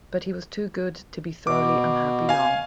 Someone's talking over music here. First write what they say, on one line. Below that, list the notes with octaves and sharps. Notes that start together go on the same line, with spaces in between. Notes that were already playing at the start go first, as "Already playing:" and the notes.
But he was too good to be thoroughly unhappy long.
B2 D6
F5 G#5